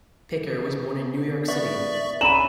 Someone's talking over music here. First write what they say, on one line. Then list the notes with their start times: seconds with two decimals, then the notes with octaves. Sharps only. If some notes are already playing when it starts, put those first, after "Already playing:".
Picker was born in New York City.
1.48 B3 D5 E5 C#6
2.21 C4 C#4 A#5 B5 D#7 E7 F#7